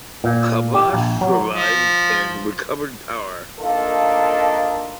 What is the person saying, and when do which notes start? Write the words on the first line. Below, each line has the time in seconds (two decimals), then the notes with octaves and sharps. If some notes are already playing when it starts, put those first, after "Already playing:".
Chavash survived, and recovered power.
0.24 A#2
0.74 G4
0.93 A#1
1.21 F#3
1.52 F3
3.61 A#3 D4 D#4 F4 A4 A#4